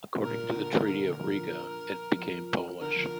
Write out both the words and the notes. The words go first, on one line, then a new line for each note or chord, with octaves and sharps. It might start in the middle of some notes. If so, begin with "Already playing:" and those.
According to the Treaty of Riga, it became Polish.
C3
A#2 A#4
D3
D3 A#4
F3
F3
D3 A#4
F3